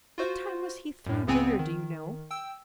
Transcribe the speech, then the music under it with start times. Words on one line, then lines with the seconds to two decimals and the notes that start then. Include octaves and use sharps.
"What time was he through dinner, do you know?"
0.18 F4 F#4 C5
1.06 F#2 A2
1.27 C#2 C#3 B3 C4 G#5 D#7
1.59 D#3
2.31 G5 E6